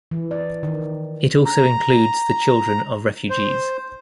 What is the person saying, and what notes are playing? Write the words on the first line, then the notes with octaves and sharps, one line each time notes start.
It also includes the children of refugees.
E3
D5
D#3
A#5
C5